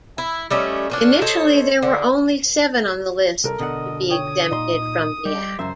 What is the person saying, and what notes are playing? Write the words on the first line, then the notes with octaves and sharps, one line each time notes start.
Initially there were only seven on the list to be exempted from the act.
E4
G3 A3 C#4 D#5
A#2 C#4 D4
A4 C5 C#5 D#5
D3
C2 A4 A#4
B2 D3 D#5 F#5
C#5 G5 D#6
A#2 D#4 C6
G3 G4 D#5
C#2 F#2 C5 E5